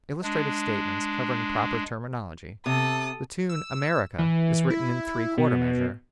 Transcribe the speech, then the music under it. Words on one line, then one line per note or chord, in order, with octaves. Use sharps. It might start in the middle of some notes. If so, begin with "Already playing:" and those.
Illustrative statements covering proper terminology: the tune "America" is written in three-quarter measure.
G#3 D4
C3 A4 D#6
E6
E3
E4
B2